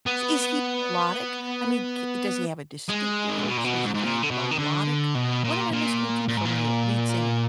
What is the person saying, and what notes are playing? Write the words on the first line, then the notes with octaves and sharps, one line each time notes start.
Is he melodic? I mean, c does he have a distinctive voice, or is he very melodic? What am I listening to from the lead singer?
B3
G#3
D#3
D3
B2
A#2
B2
G#2
G#2
A#2
D3
B2
D#3
D3
B2
A#2
A#2
A#2
G#2
A#2